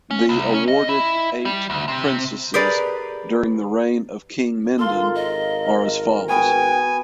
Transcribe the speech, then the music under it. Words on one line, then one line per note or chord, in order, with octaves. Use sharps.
The awarded eight princesses during the reign of King Mindon are as follows.
C#4
C2
C#4
D#5
E4
G3
D2
C3
G4 G#4 A#4 B4 D5
G#1 F4 A4 A#4 C6
D#5
B3 F#4 G5 G#5